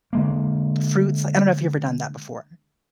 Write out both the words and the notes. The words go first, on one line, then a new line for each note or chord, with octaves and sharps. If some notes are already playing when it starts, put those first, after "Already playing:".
fruits li I don't know if you've ever done that before.
D3 G#3 A#3